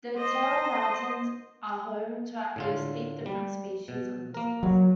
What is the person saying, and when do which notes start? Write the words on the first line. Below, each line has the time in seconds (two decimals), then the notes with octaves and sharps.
The Terril Mountains are home to at least eight different species of lizards.
0.17 C5 D#5
2.56 A2 D3 F4
3.26 G3
3.88 B2
4.34 A#3 A#4
4.63 F#3